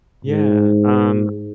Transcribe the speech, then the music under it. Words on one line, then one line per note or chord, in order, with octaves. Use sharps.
Yeah, um
G#2